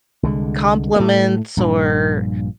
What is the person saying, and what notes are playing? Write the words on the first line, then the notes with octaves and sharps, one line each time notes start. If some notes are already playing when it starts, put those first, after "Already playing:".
compliments or
C2 D3 G#3
A2 A3
A#1 G2 A#2